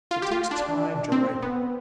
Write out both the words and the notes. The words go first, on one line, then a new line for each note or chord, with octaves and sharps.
It takes time to ripen.
F4
G4
F4
D4
C4
B3